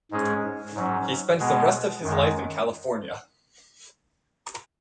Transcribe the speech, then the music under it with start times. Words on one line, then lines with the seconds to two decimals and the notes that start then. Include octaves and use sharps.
He spent the rest of his life in California.
0.11 G#2 G#3 C#4 G#4
0.75 G#2 F#3 C#4
1.39 B2 G#3 B3 G#4
2.03 F#2 D#3 G#3